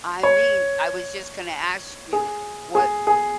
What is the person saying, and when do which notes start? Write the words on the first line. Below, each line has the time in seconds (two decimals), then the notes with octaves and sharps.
I mean I was just gonna ask you what
0.23 C#5
2.13 G#4
2.75 G#4
3.07 G#4